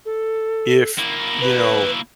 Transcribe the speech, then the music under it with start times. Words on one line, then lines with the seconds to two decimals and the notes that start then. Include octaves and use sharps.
if, you know,
0.06 A4
0.98 A#3 E4
1.41 B4